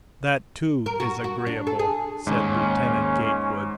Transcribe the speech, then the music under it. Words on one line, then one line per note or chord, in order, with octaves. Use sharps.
"That, too, is agreeable," said Lieutenant Gatewood.
A#4
F#4
F#4
D4
A4
G#4
D#2 G#2 C#4